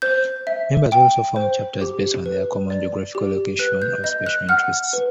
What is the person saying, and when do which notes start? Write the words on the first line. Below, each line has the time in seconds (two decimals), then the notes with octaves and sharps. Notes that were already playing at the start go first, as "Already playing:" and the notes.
Members also form "chapters" based on either common geographical location or special interests.
0.02 C5 G6
0.47 E5
0.92 G5
1.36 C5
1.81 G4
2.26 B4
2.70 D5
3.15 G4
3.59 B4 F#6
3.82 G6
4.04 D#5 G6
4.26 F#6
4.49 F#5 F6
4.93 B4